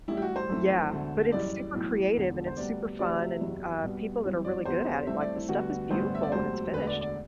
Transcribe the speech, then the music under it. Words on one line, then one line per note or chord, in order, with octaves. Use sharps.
Yeah, but it's super creative and it's super fun and, uh, people that are really good at it, like, the stuff is beautiful when it's finished.
A1 A2 G3 E4
G4
F#4
C5
F#2 E3 A3 C4
E1 D2 D3 A3
F#1 F#2 E3 G3 D5
B1 A2 E3
E1 E2 D3
C5
D2 C3 G3 B3 D5
D2 C3 F#3 A3 C4 D5
E5
F#1 E2 C3 F#3
C2 B2 G3 B3
G1 F#2 E3 G3 C4
D5
E2 C3 F#3 B3 C5
G2 E3 A3 C4 E5
D5
E4
D2 D3 G3 B3 F#4
A1 G2 D3 G3 B3 C5
E5
D5
E1 D2 C3 F#3 C5
E1 D2 D3 B4
D5
D5